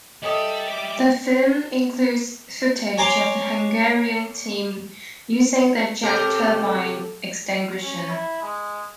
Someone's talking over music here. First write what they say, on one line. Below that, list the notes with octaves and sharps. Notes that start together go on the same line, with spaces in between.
The film includes footage of the Hungarian team using their jet turbine extinguisher.
G3 A4 D#5 E5 G5 D#6
E5 D6
C#5 G#5 A#5 C6 D6
C3 G4 A4 A#4
C#4
E4
G#3